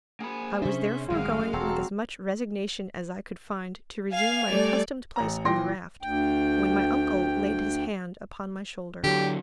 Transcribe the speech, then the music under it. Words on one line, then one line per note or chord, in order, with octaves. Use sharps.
I was therefore going with as much resignation as I could find to resume my accustomed place on the raft, when my uncle laid his hand upon my shoulder.
A#3 G#4 B5
C3 C#4 D4 C5 E5
A1 F#2 D#3 G#3 F5
E1 F#3 C4 A4
F5 G#5 F7
G3 A3 D5
A1 A#5
A#2 E3 G5 C6 A#6
D2 G5
D3 F#3 G4